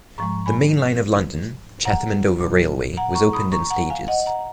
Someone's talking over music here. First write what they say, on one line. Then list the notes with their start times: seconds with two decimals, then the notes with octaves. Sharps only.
The main line of the London, Chatham and Dover Railway was opened in stages.
0.18 G#2 F3 G#3 A#5 C#6
0.46 G#5 B5
1.85 F#5 A#5
2.41 A#2 F#3
2.97 F#5 A#5
3.15 A#5 C#6
3.33 B5 D#6
3.52 A#5 C#6
3.70 F#5 A#5
3.90 F5 G#5
4.08 D#5 F#5
4.26 F#5 A#5